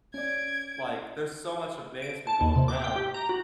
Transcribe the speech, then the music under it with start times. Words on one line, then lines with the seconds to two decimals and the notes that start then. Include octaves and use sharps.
Like, there's so much advancement going around,
0.14 C#4 D5 G#6 D7
2.02 D7
2.27 A5
2.41 D#2
2.56 C3
2.68 D6
2.84 G5
2.96 G4
3.14 A#5
3.29 F#4